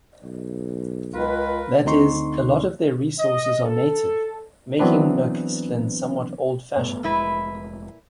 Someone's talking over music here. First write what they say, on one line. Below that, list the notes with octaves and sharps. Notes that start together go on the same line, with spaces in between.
That is, a lot of their resources are native, making Nochistlan somewhat old-fashioned.
B1
C#2 F4 A#4 B4
D2 D3 C4 D#4 C6 C#6
D#5
A4
E3 F#3 B3 C4 D4 B4
G2 A3 B3
F1 A#2 G#3 E4 B4